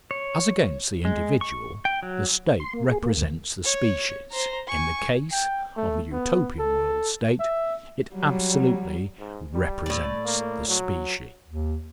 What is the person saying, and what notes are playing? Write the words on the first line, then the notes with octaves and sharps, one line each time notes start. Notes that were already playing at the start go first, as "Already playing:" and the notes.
As against the individual the state represents the species, in the case of the Utopian World State it absolutely represents the species.
C#5
G#3
C#6
G5
F#3
C6
A#3
G#4
A#3
D2
C#5
C5 A#5
G#5 C#6
G5
A3
B3
A4
E5
F#3 G3
G#2
G3
A2 D5
A#3
F#3
D#2